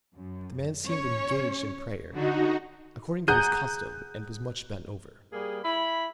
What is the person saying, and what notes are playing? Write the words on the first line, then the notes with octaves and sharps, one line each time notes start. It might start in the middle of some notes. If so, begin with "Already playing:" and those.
The man seemed engaged in prayer, according to his custom, and was much bent over.
F#2
C#4 C#5
D3 D#4 F#4
G#4 F#5 A#5 F#6 G6 D#7
G3 A#3 G#4
E4 B5